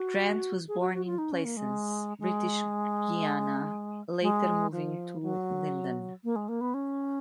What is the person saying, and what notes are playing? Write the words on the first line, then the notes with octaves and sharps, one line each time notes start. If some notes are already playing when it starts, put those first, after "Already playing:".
Grant was born in Plaisance, British Guiana, later moving to Linden.
Already playing: F#4
G#4
F#4
F#4
F4
D#4
C#4
A#3
G#3
G#3
G#3
F3
F#3
A#3
G#3
A#3
B3
C#4